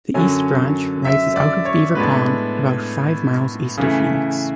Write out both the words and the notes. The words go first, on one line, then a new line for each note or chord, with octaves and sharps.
The east branch rises out of Beaver Pond about five miles east of Phoenix.
F#2 D3 F#3 C#4 G#5
E5
D5
C#5
A2 G#3 B3 D4 B4
C#3 E3 A3